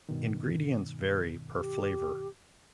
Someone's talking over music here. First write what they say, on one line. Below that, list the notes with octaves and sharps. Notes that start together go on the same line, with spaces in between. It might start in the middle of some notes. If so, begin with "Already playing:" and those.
Ingredients vary per flavor.
G2 B2 D#3
G4